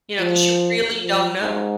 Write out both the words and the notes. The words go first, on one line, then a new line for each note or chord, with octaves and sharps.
You know, 'cause you really don't know.
F3
F3
G#2